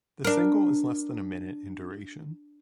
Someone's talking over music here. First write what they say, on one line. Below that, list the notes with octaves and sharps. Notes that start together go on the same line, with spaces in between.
The single is less than a minute in duration.
D4 A#4